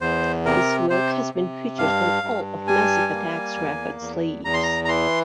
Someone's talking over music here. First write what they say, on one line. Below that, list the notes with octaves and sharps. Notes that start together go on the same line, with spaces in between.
His work has been featured on all of Massive Attack's record sleeves.
E2 C5
C3 A#4
C3 C5
C3
G2 F5
G2
G3 G#5
A#3
E2
E2
E2 A#5
C6
A#5
A#5
E3 C6